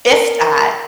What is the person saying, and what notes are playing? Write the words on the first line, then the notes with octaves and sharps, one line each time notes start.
If that
A#4